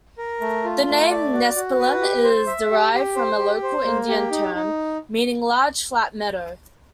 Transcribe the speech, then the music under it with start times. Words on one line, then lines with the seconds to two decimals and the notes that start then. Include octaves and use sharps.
The name Nespelem is derived from a local Indian term meaning "large flat meadow".
0.18 A#4
0.41 A3
0.64 F4
0.88 A3
1.10 D5
1.33 F#4
1.56 F#4
1.79 B4
2.01 G4
2.24 C5
2.47 E5
2.71 G4
2.93 G4
3.16 C5
3.39 G4
3.63 C5
3.85 A#3
4.08 G4
4.31 D#4
4.54 D#4